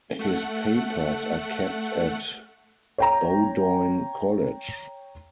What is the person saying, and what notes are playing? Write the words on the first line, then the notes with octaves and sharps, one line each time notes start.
His papers are kept at Bowdoin College.
A3 F#5
C#5 G5 A#5